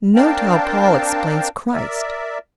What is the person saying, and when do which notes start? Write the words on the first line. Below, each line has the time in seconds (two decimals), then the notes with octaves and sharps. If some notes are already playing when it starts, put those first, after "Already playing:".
Note how Paul explains Christ.
0.15 C4 D4 A#4 F5 G5 A5
1.74 A#4 D5 E5